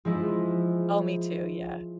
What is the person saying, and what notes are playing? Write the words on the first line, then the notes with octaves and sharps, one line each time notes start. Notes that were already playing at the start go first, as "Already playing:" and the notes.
Oh, me too, yeah.
F3 G#3 E4